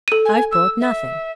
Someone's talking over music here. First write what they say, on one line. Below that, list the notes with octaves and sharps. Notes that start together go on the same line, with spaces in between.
'I've brought nothing.
A4 D#7
G#5
E6
E5